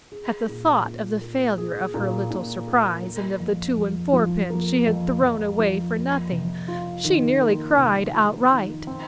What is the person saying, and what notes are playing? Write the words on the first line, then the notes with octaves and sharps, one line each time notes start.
At the thought of the failure of her little surprise and of the two and fourpence she had thrown away for nothing she nearly cried outright.
G#4
A#2
A#2
A#3
G#4
A#2
A#2
A#3
A#3
F2
F2
F3
A#3
F2
F2
F3
A#3
C3
F4
D#3
A#3
C3
F4
D#3
C4